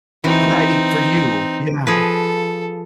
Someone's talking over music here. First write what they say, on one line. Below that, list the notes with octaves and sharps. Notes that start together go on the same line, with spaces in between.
Right, for you. Yeah.
E3 C4 D#4 F#4
F3 G#4 A4 B4